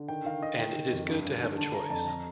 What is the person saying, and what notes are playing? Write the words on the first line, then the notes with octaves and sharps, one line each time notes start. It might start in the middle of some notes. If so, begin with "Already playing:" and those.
And it is good to have a choice.
Already playing: D3
D#3 G5
D#3 F5
D#3 D#5
D#3 G5
D#3
F2
G2
G2
D#3
D3 A5
D3 A#5
F2 A5
A#5